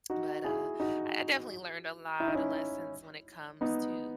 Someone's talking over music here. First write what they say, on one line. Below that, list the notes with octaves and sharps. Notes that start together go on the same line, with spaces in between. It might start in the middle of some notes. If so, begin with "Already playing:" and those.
But, uh, I definitely learned a lot of lessons when it comes to
D#4 F#4
E4 G#4
D#4 F#4
E4
D#4
C#4 E4
B3 D#4